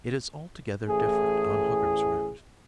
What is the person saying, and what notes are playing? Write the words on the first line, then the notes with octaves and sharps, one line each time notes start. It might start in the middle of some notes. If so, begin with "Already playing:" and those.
It is altogether different on Hooker's ranch.
A1 A2 G#4